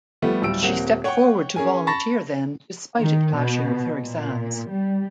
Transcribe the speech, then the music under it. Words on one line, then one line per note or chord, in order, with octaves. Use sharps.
She stepped forward to volunteer then despite it clashing with her exams.
F3 G3 A3 B3
D1 G3 E6 D7
D#1 A#3 C4 F#5
C#5 F#5 G5 C#6
C#4 G#4 A#4 G#5
A5 B5 C#6 A6 A#6
D#3
B2
A#2
G3